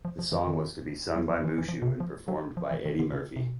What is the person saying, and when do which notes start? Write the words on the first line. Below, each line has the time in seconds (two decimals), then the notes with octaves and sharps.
The song was to be sung by Mushu and performed by Eddie Murphy.
0.05 F3
0.19 F3
0.32 E3
0.47 D#3
1.16 F#3
1.30 F3
1.44 E3
1.58 E3
1.68 F3
1.73 E3
1.82 B2
1.87 C3
1.92 C#3
2.00 F3
2.28 F#3
2.57 F3
2.71 E3
2.85 D#3
2.99 D3
3.13 C#3
3.36 C3
3.41 B2